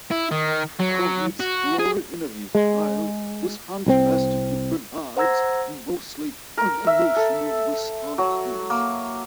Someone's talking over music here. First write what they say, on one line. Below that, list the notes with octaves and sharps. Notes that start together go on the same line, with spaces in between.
Conan's florid interview style was contrasted with Bernard's mostly unemotional responses.
E4
D#3
F#3
F#4
G#4
G#3
C2 F3 C4
C5 F#5 A#5 E6 G#6 A#6
A#4
E5
A4
F#3
A#3